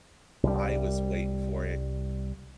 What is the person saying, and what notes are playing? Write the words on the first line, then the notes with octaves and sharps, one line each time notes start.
I was waiting for it.
C2 G3